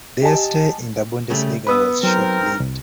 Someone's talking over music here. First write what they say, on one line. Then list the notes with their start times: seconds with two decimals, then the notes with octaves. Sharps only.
Their stay in the Bundesliga was short-lived.
0.22 G4 D#5 G#5 A5
1.30 C#3 G3 A3
1.67 B3 B4 B5 D#6 E6
2.03 F#3 C4 D#4 A#4
2.60 C2